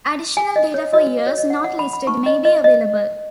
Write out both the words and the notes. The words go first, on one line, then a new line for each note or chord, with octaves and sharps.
Additional data for years not listed may be available.
G#5
D#5
C#5
F#4 B4 D#5
C#5
D#5
F#5
F#5
B5
B5
D#4 B4 C#6
D#5
D#5
D#5